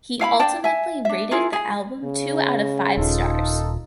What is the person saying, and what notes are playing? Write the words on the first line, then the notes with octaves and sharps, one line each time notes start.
He ultimately rated the album two out of five stars.
E4 F5 G#5 B5
D4 D5 G5 A5
E5 G#5
D4 E5
E4 F4 G#4 A#4
G#4
C#3
D#1 D#4 F4 A4